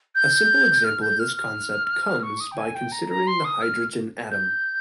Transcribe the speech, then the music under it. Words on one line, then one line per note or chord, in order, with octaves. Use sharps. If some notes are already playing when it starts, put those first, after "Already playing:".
A simple example of this concept comes by considering the hydrogen atom.
G6
F6
G6
F6
F6
C#6
D#6
G5
G#5
G5
A#5
A#5
C6
D#6
F6
G6